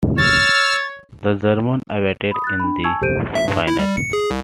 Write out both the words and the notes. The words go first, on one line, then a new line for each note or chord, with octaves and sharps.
The Germans awaited in the final.
C#5 E6 F6 A6
B5 D#6
F#6 A6
D4 B5
G#5 A5 C#6 E6 G#6
G4 A4 C5 G6 D7 D#7
E5
G2
E4
G3
C#7
G#4
C2